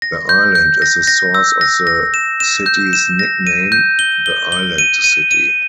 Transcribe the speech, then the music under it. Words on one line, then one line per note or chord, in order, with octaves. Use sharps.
The island is the source of the city's nickname, The Island City.
A#6
G6
G6
A#6
A#6
E6
A#6
A#6
E7
E7
G6
E7
A#6
D#7
G6
G7
G7
G7
D#7
D#7
D#7